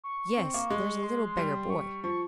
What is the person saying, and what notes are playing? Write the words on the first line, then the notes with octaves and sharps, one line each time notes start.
"Yes; there's a little beggar boy."
C#6
C4
A#3
G#3
C6
G3
C#6
F3 C#6